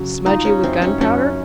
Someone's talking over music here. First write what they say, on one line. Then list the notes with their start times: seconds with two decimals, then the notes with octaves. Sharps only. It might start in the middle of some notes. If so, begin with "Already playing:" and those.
Smudgy with gunpowder?
Already playing: C#3 F#3
0.26 D#4 F4
0.45 C#4
0.63 F#2 C4
0.82 C#4
1.01 F#2 C#4